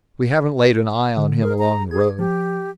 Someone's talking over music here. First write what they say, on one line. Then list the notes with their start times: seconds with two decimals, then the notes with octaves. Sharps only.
We haven't laid an eye on him, along the road.
1.17 D3
1.43 G#4 A#4
1.59 A#5
1.91 G#4 G#6
2.19 F3 G4